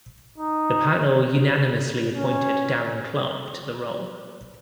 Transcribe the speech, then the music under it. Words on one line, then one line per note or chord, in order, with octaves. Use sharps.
The panel unanimously appointed Darren Clarke to the role.
D#4
C#4